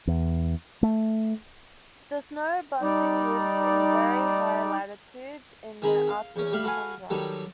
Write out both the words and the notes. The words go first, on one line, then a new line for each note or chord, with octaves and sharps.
The snow bunting lives in very high latitudes in the Arctic tundra.
E2
A3
G3 D#4 D5
D#3 C4 G#4 A#5 B5
F5
E2 C#4
G3 A3 F5 B5
F#4 A4 B4 F5 G#5
D#3 F#3 G3 A4